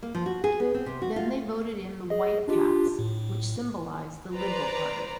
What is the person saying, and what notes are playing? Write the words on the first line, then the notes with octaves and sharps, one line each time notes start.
Then they voted in the white cats, which symbolized the Liberal Party.
A#3
F3
F#4
G#4
B3
C4
C3
F#4
F4
G#4 D#5
D4 F4 G4
A2
B4 C5 D5 A#5